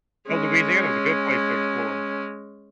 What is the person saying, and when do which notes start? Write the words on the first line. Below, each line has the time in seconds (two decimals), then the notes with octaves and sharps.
Oh, Louisiana is a good place to explore.
0.27 G#3 C#4